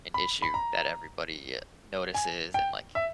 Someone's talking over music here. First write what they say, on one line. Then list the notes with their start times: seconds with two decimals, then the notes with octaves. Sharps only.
an issue that everybody, eh, notices and, like,
0.14 B5
0.42 B5
0.54 A#5
2.14 G#5
2.54 G5
2.95 E5